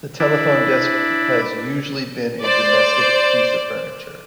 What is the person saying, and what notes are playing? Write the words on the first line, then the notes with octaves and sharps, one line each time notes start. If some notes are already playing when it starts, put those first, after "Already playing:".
The telephone desk has usually been a domestic piece of furniture.
D4 E4
C5 D5